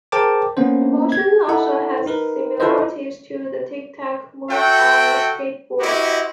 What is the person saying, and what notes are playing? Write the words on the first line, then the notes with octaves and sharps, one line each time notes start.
The motion also has similarities to the tic-tac move on a skateboard.
G#4 A#4 C5 G5 A5 D6
A#3 B3 C#4 C5
G#6
E4 A4 F#5
D#4 A#4 B4
E4 F4 A4 B4 C5 D#5
F#4 A4 E5 G5
E4 F#4 G4 C5 D#5